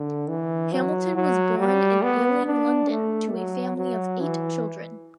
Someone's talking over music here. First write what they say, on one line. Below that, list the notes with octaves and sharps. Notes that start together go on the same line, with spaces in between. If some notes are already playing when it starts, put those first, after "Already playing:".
Hamilton was born in Ealing, London to a family of eight children.
Already playing: D3
E3
F#3
F#3
G3
B3
D4
A3
F#3
F#3
E3